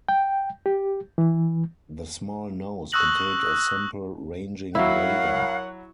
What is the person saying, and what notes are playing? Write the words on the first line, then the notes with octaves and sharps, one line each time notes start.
The small nose contained a simple ranging radar.
G5
G4
E3
C#6 D#6 E6 F#6 A#6 F#7
F#3 E4 A#4 C#5 F5 F#5 B5